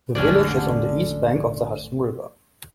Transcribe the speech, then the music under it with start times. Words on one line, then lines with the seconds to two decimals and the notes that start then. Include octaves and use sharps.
The village is on the east bank of the Hudson River.
0.15 A1 E2 G#2 D3 C#4 D4 D5